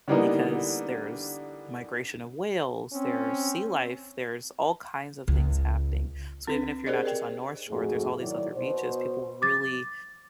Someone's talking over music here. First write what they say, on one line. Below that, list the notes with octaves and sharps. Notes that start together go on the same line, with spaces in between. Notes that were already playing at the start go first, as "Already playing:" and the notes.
because there's migration of whales, there's sea life, there's all kinds of things happening, so even if you're not just on North Shore, there's all these other beaches. People really
D3 E3 G3 A#3 B3 D#4
C4 C#4
C#2
C4 D4 B4
G4 G#4 A#4 C5 D5 D#5
A#4 D5 G5
F2 G#2 A3 F#4 G#4
D#3 F#3 E4 D5
B2 C5
D6 A6